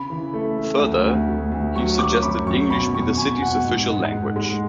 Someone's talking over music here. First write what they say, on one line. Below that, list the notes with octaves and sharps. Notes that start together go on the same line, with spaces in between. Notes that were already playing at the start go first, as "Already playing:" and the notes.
Further, he suggested English be the city's official language.
Already playing: C#3 B5
E3
A3
A3
D2
D2
D2
D2
F#3 C#6
F#3 D6
F#2 B5
F#2 C#6
B2 B5
E2 C#6
E2 G#5
B2 F#5
G#2
G#2
G#2
G#3